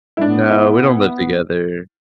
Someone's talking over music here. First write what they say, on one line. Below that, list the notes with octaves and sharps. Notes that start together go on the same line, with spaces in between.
No, we don't live together.
E4
B3 D4
E4